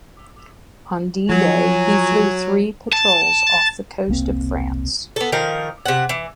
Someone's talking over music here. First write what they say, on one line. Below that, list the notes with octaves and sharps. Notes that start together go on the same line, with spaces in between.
On D-Day he flew three patrols off the coast of France.
F3 F#3 G#5
A5
E1 C2 A#3 C4
B3 A4
D#3 F3 A#4
C3 F#5
E3